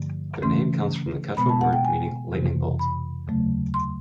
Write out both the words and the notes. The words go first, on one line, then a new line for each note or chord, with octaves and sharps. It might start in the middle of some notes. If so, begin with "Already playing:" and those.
Their name comes from the Quechua word meaning "Lightning Bolt".
Already playing: G2 D3 F3 A3
C#3 E3 A3 C#4 C6
B2 G#3 B3 B5
A5
F#5
G5
G#5
F2 C3 E3
B5
D#2 C#3 F#3 A3
C6